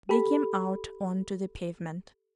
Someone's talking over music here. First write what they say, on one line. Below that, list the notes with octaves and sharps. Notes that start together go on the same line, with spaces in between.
They came out on to the pavement.
G4 A4 B5